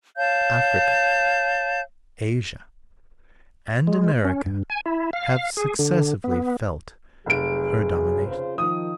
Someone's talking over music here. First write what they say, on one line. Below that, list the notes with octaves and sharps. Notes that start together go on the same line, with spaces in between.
Africa, Asia, and America, have successively felt her domination.
C#5 F5 A5 G6
G#3
C#4
G2
G#5
E4
F5
G#4
D3
B3
F1 F#3 G#4 D7
C#3 F4 C5
D#3 F3 D#6